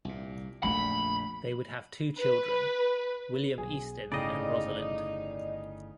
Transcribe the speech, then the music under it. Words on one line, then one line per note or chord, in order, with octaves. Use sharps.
They would have two children: William Eastin and Rosalind.
C2 A#2
A#1 F2 A#2 A3 D#4 B5
B4
B1 G#4
G1 A2 C#3 D#4 D5 D#5 G5